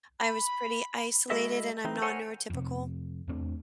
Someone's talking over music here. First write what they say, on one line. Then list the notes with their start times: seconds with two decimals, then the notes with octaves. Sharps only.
I was pretty isolated, and I'm non-neurotypical.
0.20 B5
0.96 B5
1.30 G#3 E4 F#4 A4 D#5 E5
1.85 E3 C4 D#4
2.01 A4 A#4 C5 C#5 F#5 G#5
2.50 F2 C3
3.28 E2 A3 C4 D4